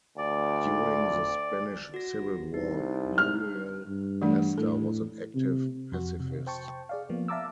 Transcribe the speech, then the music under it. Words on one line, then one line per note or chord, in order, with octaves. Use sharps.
During the Spanish Civil War Muriel Lester was an active pacifist.
D2 D5
F#4 A#6
C2 D#4
F6
G2
E3 A3 D4
A2 A4
C3
F2 F#4
C3
C5 G5 A5 C#6
G#4 D5 F5
F3 A#3 B3
E5 F5 A5 A#5 D6 E6